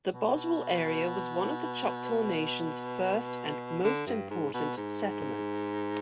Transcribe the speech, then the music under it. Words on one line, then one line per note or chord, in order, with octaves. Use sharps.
The Boswell area was one of the Choctaw Nation's first and most important settlements.
B2
D3
G2
G#2
B2
G#2